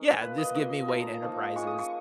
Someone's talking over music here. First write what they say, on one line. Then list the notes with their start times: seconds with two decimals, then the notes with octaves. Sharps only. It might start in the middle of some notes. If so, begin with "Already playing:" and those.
Yeah. Just give me Wayne Enterprises,
Already playing: C#4 D#4 A#4
0.21 A#3 F4 B4
0.38 D#5
0.55 A#3 F4 D#5
0.88 F3 A#3 D#4 A#5
1.22 F3 A#3 D#4
1.56 G#3 C#4 F4 C#6
1.67 D#6
1.79 C#6